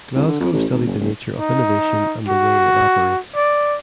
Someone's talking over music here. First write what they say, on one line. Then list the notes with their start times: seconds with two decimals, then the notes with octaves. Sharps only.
Glasgow studied the nature of innovation and the way it operates.
0.16 C2
0.28 D3
0.40 F2
0.53 A1
0.72 G#1
0.87 F#1
0.99 F#1
1.38 D#4
2.29 F#4
3.35 D5